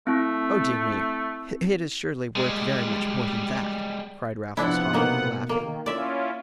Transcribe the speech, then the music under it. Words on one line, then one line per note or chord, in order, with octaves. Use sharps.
"Oh dear me, it is surely worth very much more than that," cried Raffles Haw, laughing.
A3 C4 E4
G3 G#3
C3 F3 B3 D4 E4 F#5
B2 A#3 D#4
D#3 A#3
C#4 E4 F4 D5 E5